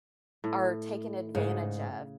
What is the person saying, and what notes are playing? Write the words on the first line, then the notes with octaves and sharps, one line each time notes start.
are taken advantage of.
A2
G#2 C#3